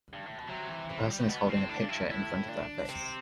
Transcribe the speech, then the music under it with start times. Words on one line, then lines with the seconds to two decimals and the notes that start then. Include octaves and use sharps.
The person is holding a picture in front of their face.
0.13 G2
0.26 A2
0.38 B2
0.49 C3 F#3
0.69 E3
0.89 E3
1.09 G3
1.29 B2 B3
1.49 C4
1.56 A2
1.69 D4
1.82 G2
1.89 E4
2.09 A2 E4
2.48 D4
2.89 C3 C4